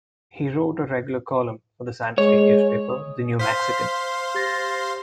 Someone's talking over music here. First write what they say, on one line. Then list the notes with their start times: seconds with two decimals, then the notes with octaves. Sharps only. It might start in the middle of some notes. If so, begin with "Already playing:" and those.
He wrote a regular column for the Santa Fe newspaper, The New Mexican.
2.18 G#3 C#5
2.89 D#6
3.39 C5 F5 C6 B6
4.35 G4 A6 A#6